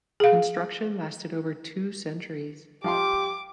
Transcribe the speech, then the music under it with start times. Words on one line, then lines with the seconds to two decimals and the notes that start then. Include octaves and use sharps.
Construction lasted over two centuries.
0.20 G#4 F5
2.84 F3 G4 F5 C6 D6